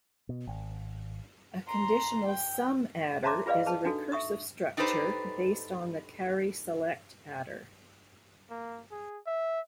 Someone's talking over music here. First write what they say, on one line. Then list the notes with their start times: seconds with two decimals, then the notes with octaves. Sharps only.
A conditional sum adder is a recursive structure based on the carry-select adder.
0.29 B2
0.47 G#1
1.68 A#5 C6
2.28 G5
3.23 C5 E5 A5 A#5 C6 D6
3.46 F4 G#4 B4 D5 D#5 F5
3.66 G#4 B4 A5
3.85 D4 D#4 F#4 A4
4.12 E5 C#6 D#6
4.77 D4 D#4 G4 A4 B4 C5
8.50 A#3
8.91 G#4
9.27 E5